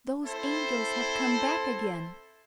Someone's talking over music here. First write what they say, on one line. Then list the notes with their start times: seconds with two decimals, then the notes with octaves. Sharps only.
Those angels have come back again.
0.25 C4 E4 A4 C5